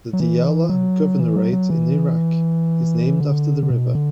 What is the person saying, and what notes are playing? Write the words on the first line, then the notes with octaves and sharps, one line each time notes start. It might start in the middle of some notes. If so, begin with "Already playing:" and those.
The Diyala Governorate in Iraq is named after the river.
F#3
E3
F#3
E3
F#3
F#3
E3
D3
D3
B2
D3